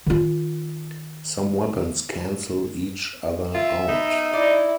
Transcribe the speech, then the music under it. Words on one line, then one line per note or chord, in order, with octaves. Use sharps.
Some weapons cancel each other out.
D#3 F4
F4 E5
B3 D#4
E4 D5